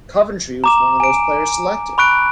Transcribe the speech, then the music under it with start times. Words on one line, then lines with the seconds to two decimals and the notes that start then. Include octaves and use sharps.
Coventry was one of those players selected.
0.64 A#5 D6 E7
1.00 G#5 D7
1.98 B5 C#6 F#6 D7